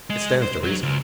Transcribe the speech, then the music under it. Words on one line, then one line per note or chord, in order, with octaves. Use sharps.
It stands to reason.
G#3
C5
F#3
C#2